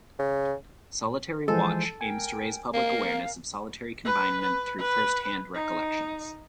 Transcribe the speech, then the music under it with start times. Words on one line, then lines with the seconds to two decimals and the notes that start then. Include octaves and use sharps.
Solitary Watch aims to raise public awareness of solitary confinement through firsthand recollections.
0.19 C#3
1.48 E3 F3 G#3 A4 C5 G#5
2.01 A#4 G5 G#5
2.74 A#3 A#4 F5
4.04 B4
4.41 B4
4.79 B4
5.55 D#4